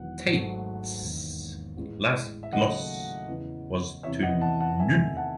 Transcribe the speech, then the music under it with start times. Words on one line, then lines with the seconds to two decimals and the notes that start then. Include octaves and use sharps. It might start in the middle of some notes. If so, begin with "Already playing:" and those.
Tate's last loss was to Nunn.
Already playing: E1 E2 D#3 F#3 F#5
0.26 G#1 G#2 F#3 A3
1.01 E1 D#2 D#3
1.77 A1 A2 G#3
2.43 E5
2.53 D#2 C#3 F#3 A3 D#5 F#5
3.28 E2 C#3 E3
4.03 E2 C3 E3 C#5 E5
4.23 D#5 F#5
4.41 F#5 A5
4.61 F#5 A5
4.79 E2 C3 D#3 A3 E5 G#5
5.17 F#5 A5